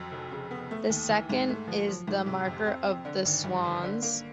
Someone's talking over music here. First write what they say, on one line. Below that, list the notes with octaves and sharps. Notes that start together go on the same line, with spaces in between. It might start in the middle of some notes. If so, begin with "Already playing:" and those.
The second is the Marker of the Swans.
Already playing: F2 F#3
F1
C#3
B3
A3
D#2
E3
G#2
A3
F3
F3
G#2
C3
F2
C4
C4
D3
G#1
G2
G1
D3
A#3